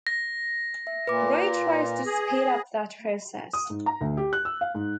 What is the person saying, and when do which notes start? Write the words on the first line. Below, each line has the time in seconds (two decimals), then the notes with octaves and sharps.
Ray tries to speed up that process.
0.07 A#6
0.87 E5
1.07 A#2 B4 D6
2.06 G#4
3.53 D#6
3.70 G#2
3.86 A#5
4.01 D2
4.17 G4
4.33 F#6
4.45 E6
4.61 F5
4.75 G#2